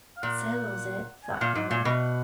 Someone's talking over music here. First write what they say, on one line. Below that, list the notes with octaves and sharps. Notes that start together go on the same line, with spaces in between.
"That settles it," thought Henry.
F5
A#2 F#5
G#5
F#5
A#2 F5
G#2 F#5
A#2 G#5
B2 F#5